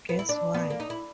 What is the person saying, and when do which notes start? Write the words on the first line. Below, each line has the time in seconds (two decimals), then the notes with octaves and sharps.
Guess why.
0.09 B3
0.19 E4
0.29 D4
0.54 B3
0.70 A#3
0.80 D#4
0.90 E4